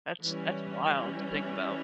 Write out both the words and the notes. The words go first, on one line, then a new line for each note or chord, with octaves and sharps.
That's that's wild to think about.
E3 G3 C#4